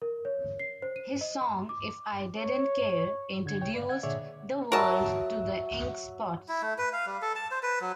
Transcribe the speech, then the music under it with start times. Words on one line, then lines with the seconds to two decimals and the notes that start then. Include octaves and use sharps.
His song, "If I Didn't Care", introduced the world to The Ink Spots.
0.02 A#4
0.25 C#5
0.59 C7
0.82 C5
0.96 D#7
1.21 D#5
1.41 C6
1.69 D6
2.36 C#5
3.46 D3 G#6
3.61 C2 C#5 G5
3.74 B4 D5 F5
3.89 F#5 G#6
4.03 A#2 D3 G#4 C#5 D5 E5
4.72 F#3 A#4 E5 A5 D#6
6.49 E4
6.62 A3
6.78 B4
6.93 F5
7.06 G3
7.22 A4
7.36 A5
7.51 C5
7.63 B4
7.81 F#3